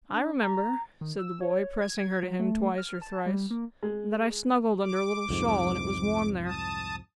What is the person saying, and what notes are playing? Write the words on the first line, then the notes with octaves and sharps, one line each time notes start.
'I remember,' said the boy, pressing her to him twice or thrice, 'that I snuggled under a little shawl, and it was warm there.'
D4
A#5
D#3
E6
C#5
G#6
F#3
A3
F6
A5
G3
A#3
G#3
D6
C2 F2 G#2
A5 D#6